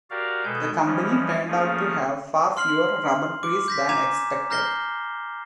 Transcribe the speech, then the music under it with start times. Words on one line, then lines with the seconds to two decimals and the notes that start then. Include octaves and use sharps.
The company turned out to have far fewer rubber trees than expected.
0.11 F#4 G4 A#4 D5 F5
0.45 B2 G#3 A4 B4 G#5 G6
0.85 E3 F3 G3 G#3 C#4
1.48 F3 A3 A#3 C#4 G#4
2.57 C6 F6 C7 F#7
3.43 D6
3.68 G6 A#6 B6
3.89 G#5 A#5 D6 G#6 E7 F7
4.50 A#5 F6 G6 A#6 C7 G7